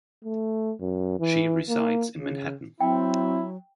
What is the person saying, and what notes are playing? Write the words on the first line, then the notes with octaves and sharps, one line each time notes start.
She resides in Manhattan.
A3
F#2
E3
A#3
C#3
F#3 C4 E4 G5